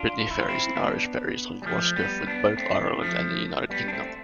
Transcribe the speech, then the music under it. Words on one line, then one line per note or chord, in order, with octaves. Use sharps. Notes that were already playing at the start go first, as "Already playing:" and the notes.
Brittany Ferries and Irish Ferries link Roscoff with both Ireland and the United Kingdom.
Already playing: D4 F4
E4
F4
C4 E4
B3 D4
G3
F3 A3
G3 B3
B3 D4
A3 C4
F3 A3
G3 B3
D4
A3 C4